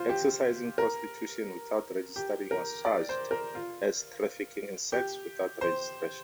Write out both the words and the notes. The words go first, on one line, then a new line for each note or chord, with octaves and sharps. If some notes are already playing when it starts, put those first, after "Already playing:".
Exercising prostitution without registering was charged as "trafficking in sex" without registration.
Already playing: F4 C5
G4
A#4
G4
A#4
D5
C5
A#4
F4
G4
C5